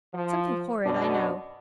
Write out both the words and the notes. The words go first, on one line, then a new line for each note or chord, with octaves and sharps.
Something horrid, I know.
F3
F#2 B2 D4